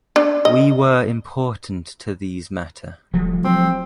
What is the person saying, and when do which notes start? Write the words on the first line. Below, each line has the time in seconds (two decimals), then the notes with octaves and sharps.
We were important to these matter.
0.16 D4
0.45 D#5
3.14 D#1 F3 G3 A3
3.44 F#3 C4